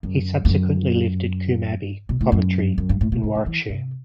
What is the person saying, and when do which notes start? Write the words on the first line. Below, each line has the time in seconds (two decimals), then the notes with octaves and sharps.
He subsequently lived at Coombe Abbey, Coventry in Warwickshire.
0.03 F#2
0.45 E2
0.49 F#2
2.09 B2
2.21 A2
2.32 F#2
2.78 F#2
2.89 G2
3.01 A2
3.12 B2
3.23 C3
3.35 D3
3.46 E3
3.69 C3